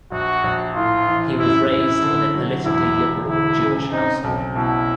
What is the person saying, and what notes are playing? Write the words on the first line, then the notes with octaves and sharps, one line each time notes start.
He was raised in a "politically liberal Jewish household".
A#1 F#4
A#1
A2 F4
E3
F#2 E4
F#2 E4
D3
F#3
E1 E4
E1
D2 E4
C#3
C4 D#4
B1
B2 E4